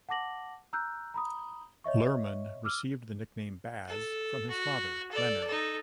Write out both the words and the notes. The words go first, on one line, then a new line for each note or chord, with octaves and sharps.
Luhrmann received the nickname "Baz" from his father Leonard.
F#5 A5 D6 A#6 F#7
A#5 E6 F#6 G6
A#5 B5 D#6
C#5 D#5 E5 C#6
D6 E6 F6
A4
F#4
A4 D5
D#4 A4